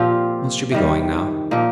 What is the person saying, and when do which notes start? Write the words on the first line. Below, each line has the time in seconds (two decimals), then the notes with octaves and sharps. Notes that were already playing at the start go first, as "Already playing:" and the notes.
Must you be going now?
Already playing: A#2 F3 C4 F4 G4
0.72 C3 D#3 G3
1.51 A#2 F3 A#3 D#4